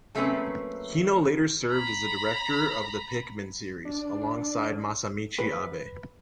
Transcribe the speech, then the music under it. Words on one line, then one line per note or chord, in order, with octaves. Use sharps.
Hino later served as the director of the "Pikmin" series, alongside Masamichi Abe.
F#3 A3 A#3 C4 C#4 B4
A#5 B5
D4
B4